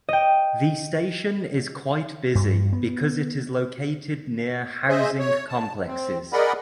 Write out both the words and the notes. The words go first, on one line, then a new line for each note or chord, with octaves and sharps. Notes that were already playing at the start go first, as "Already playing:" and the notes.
The station is quite busy because it is located near housing complexes.
D#5 G5
G2
B3
G#4 C5 D#5 E5
C#5
A5
C4
G#4 A#4 D5 D#5 F#5 B5